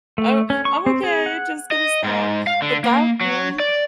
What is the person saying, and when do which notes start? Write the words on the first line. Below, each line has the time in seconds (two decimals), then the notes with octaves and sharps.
"I I'm okay, just gonna stop." But that really,
0.18 A3
0.50 C#4
0.65 C#6
0.86 C4
1.03 G#4
1.26 F#5
1.71 D#5
2.04 G#2
2.47 F5
2.62 D3
2.84 A#3
3.21 F#3
3.59 D5